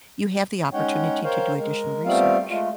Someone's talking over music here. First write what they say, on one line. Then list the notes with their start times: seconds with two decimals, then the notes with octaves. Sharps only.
you have the opportunity to do additional research,
0.73 G#3 C#4 D#4 C#5 F#5 G5
1.24 A#4 C5 C#5 F5 G5
1.57 G#3 A#4
2.05 G3 A3 B3 C4 F4 F5
2.49 G#3 A3 F4